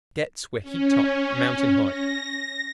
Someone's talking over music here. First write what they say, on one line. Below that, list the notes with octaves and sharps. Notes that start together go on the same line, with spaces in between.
Debts were heaped up mountain-high.
C#4
A#6